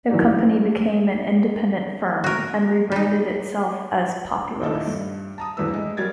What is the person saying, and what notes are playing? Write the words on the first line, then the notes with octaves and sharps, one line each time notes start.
The company became an independent firm, and rebranded itself as Populous.
E3 F#3 B3 D#4 G4 D5
F#4 A#4
G3 D#4
D#2 A#2 D#4 E4 A4
G2
A5 A#5 D#6
D#1 E2 G2 A3 B4 E6
G#3
F#3 G3 A#4 G#6 A6